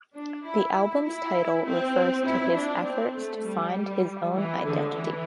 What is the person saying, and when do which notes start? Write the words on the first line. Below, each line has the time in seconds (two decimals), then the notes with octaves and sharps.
The album's title refers to his efforts to find his own identity.
0.15 D4
0.45 E4
0.74 E4
1.05 E4
1.65 C4
2.25 E4
2.55 D4
2.85 C4
3.15 A3
3.45 G3
4.35 E3
4.64 D3
4.95 E3